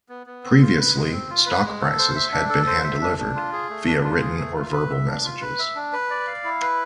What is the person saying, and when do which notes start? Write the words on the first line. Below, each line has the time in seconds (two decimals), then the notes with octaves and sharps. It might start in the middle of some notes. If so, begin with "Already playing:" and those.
Previously, stock prices had been hand-delivered via written or verbal messages.
0.09 B3
0.27 B3
0.44 C4
0.61 F4
0.78 B4
0.95 G#3
1.12 C4
1.30 F4
1.46 B4
1.64 G#3
1.81 A4
1.98 C5
2.15 E5
2.32 D4
2.50 A4
2.67 C5
2.84 E5
3.01 D4
3.18 D4
3.36 F4
3.52 G#4
3.70 A3
3.87 D4
4.04 F4
4.21 G#4
4.38 A3
4.56 F4
4.73 B4
4.90 E5
5.07 D4
5.24 F4
5.41 B4
5.59 E5
5.76 D4
5.93 B4
6.10 D5
6.27 F5
6.44 E4
6.62 B4